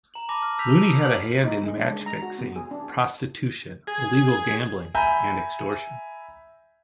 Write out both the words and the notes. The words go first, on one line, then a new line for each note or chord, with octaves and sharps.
Looney had a hand in match fixing, prostitution, illegal gambling, and extortion.
A#5 F#7
A5 B5 D6 A#6
F6
E6 G6 B6 F7
D#6
G6 F#7
D#4
G#3
D4
G#3
A#5
F#4
B3
G#4
D4
G#4
E5 G#5 A#5 B5 G6